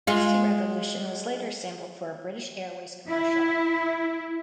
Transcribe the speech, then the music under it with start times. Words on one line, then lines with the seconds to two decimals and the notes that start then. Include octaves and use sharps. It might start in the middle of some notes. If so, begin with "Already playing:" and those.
"Beastie Revolution" was later sampled for a British Airways commercial.
0.07 G#3 F4
3.09 E4